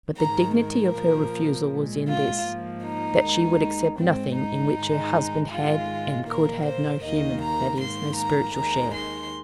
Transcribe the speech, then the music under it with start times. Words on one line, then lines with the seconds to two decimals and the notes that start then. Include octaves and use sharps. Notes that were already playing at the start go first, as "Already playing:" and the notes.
But the dignity of her refusal was in this--that she would accept nothing in which her husband had and could have no human, that is, no spiritual share.
0.17 G#2 D#3 G#3 A#5
0.56 A#4
0.93 A#2 F3 A#3
1.70 A#2 G#3
2.08 F4
2.46 G#2 F3 A#3
2.84 D#4
3.22 D#2 D#3 G#3
3.98 G#2 G#3 C4
4.36 D#4
4.74 G#2 D#3 G#3
5.50 G#2 D#3 G#3 F4
6.26 A#2 A#3 A#4
6.65 C5
7.03 D#2 D#3 A#3 D#5
7.41 A#5
7.79 G#2 D#3 A#3 C6
8.17 A#5
8.55 D#2 D#3 G#3 A#5
8.93 C6